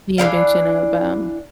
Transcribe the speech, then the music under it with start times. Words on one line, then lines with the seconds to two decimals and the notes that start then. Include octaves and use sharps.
the invention of, um,
0.18 E3 G3 D4 F5